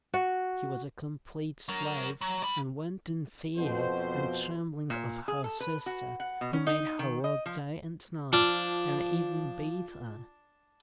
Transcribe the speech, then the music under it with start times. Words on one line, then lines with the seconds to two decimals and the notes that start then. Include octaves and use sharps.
She was a complete slave and went in fear and trembling of her sister, who made her work day and night, and even beat her.
0.14 F#4
1.69 F#3 A#4
2.21 F#3
2.43 D5 B5
3.57 F2 B2 C5
4.90 A#2
5.28 G#4
5.44 A4
5.60 B4
5.86 F#4
6.20 F#5
6.41 B2
6.53 C#4
6.67 D#4
6.99 D#3
7.24 D#5
7.46 F3
8.33 F3 D4 F4 F6